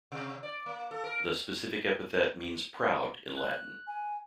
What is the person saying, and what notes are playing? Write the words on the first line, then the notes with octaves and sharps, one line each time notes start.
The specific epithet means "proud" in Latin.
C3
D5
A#3
A4
A#4
F#6
G#5